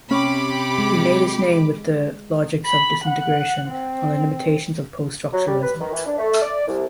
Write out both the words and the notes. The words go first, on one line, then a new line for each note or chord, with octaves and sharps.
He made his name with the "Logics of Disintegration", on the limitations of post-structuralism.
C3 C#4 G4 B5 D6
G#3
B5
F#5
C4
F#3
G3
B4
D#3
E3
D4
A3
D5
C2